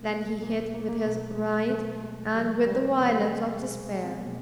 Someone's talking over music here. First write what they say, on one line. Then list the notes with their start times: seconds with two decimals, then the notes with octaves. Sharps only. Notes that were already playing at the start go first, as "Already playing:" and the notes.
Then he hit with his right and with the violence of despair.
Already playing: B2 F#3 A#3
0.10 G#3
0.42 B2 F#3 A#3
0.74 A#3
0.82 A3
0.89 A#3
1.06 B2 F#3 A3
1.38 G#3
1.70 B2 F#3 A3
2.03 G#3
2.34 C3 F3 G3
2.67 G3
2.98 C3 F3 A3
3.07 G#3
3.15 G3
3.24 G#3
3.63 B2 F#3 G#3
3.95 G#3
4.04 C4
4.12 B3
4.20 A#3
4.27 B2